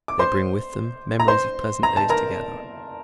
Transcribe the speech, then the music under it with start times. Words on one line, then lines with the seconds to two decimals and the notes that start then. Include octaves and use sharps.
They bring with them memories of pleasant days together.
0.08 D6
0.19 C5 C6
1.20 A#5
1.28 C5 C6
1.83 A#5
1.97 A5
2.09 A#4 A#5